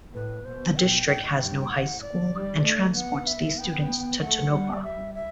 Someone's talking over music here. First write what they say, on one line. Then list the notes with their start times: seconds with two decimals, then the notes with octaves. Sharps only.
The district has no high school and transports these students to Tonopah.
0.13 A2 B4
0.45 B2 C5
0.76 G5
1.07 A2 G5
1.34 F#5
1.39 G2 G5
1.61 G5
1.70 A2 F#5
2.02 D5
2.33 G3
2.64 A3
2.95 B3 F#5
3.27 E5
3.58 B3 G5
4.21 A3 F#5
4.52 G3
4.73 D5
4.83 E5
5.15 E5